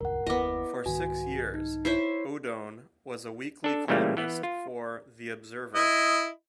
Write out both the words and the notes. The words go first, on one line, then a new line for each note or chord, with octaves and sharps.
For six years Odone was a weekly columnist for "The Observer".
D#1 C#2 G2 A#4 F#5
F#1 D#2 B3 E4 D#5 D6
C2 G#2 D#3 F#4 G#5
D#4
E4 C5 C#5 E5 C7
D4 A4
A#2 C#3 E3 G3 A3 A#3
E3 B3
F4
E4 D#5